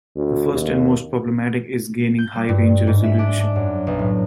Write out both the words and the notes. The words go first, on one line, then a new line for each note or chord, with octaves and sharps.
The first, and most problematic, is gaining high-range resolution.
D2
D#2
G6
G3
G2
G#2
E5
D4
D4
F#2
B1
A2